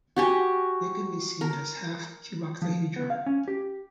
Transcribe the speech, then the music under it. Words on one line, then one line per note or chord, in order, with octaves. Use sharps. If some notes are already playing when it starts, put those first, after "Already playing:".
It can be seen as half a cuboctahedron.
F#4 G4 G#5
A#4
F3
B3
F5
C#4
G4